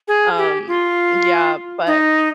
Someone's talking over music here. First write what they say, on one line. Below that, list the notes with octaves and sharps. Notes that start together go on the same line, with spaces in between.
Um Yeah, but
G#4
G4
F4
D#4